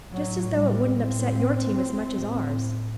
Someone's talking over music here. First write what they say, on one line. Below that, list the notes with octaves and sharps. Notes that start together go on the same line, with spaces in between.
Just as though it wouldn't upset your team as much as ours.
A2 F#3
G3
C4